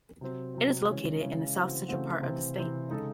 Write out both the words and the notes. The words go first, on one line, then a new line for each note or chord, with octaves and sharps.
It is located in the South Central part of the state.
C3 F#3 C4
C3 F#3 C4
C#3 E3 G#3 C#4
C#3 E3 G#3 C#4
C#3 E3 A3 C4 F#4
C#3 E3 A3 C4 F#4
C3 E3 C4
C3 E3 C4
C#3 G#3 D#4 A4